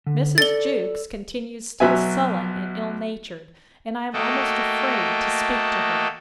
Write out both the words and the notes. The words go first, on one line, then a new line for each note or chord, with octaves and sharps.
Mrs. Jewkes continues still sullen and ill-natured, and I am almost afraid to speak to her.
D3
A4 D5 A6 G7
B1 F#3 E5 G#5
A3 A#3 F#4 A4 D#5 G5